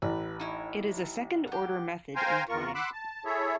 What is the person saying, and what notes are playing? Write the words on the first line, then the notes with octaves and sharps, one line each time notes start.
It is a second-order method in time.
A1 B4
D#4 E4 C#5
G4 F#5
C5 F5 G5 G#5 A#5 C6
E2 F4 A#4 C#6
F#5 B5 C6 D6 E6 F#6
A5
E4 G#4 A4 C#5 E5